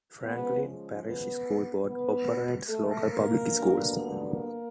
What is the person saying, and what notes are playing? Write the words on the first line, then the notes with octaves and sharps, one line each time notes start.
Franklin Parish School Board operates local public schools.
C#3 F3 G#3 B3 B4
B3 B4
B3 B4
A3 A4
A#3 A#4
G2 D3 F#3 B3 D4
A#3 A#4